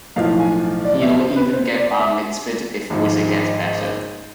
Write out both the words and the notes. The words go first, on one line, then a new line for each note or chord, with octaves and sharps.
He'll even get Bar Mitzvahed if Whizzer gets better.
B1 A2 F3 F5
G#5
D5
E5
C5
B4
C5
D5
E5
G#1 G#2 F3